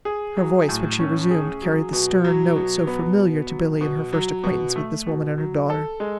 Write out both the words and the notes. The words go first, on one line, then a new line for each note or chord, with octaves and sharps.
Her voice, when she resumed, carried the stern note so familiar to Billy in her first acquaintance with this woman and her daughter.
G#4
F#3
A2
C#4
G#4
F#3
B2
F#3
B2
B3
B2
F#3
B2
F#3
B2
A3
B2
F#3
A4
G#3